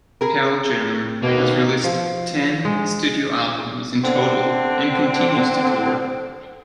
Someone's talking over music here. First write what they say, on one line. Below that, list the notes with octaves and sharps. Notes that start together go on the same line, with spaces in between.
Pearl Jam has released ten studio albums in total and continues to tour.
C4 G#4 A#4
B2 A#3 D#4
F3
G#3
D3 C4